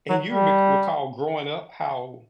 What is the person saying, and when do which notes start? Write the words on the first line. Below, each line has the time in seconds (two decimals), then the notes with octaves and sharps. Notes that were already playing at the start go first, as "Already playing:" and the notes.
and you re recall growing up how
0.09 F#3
0.27 G3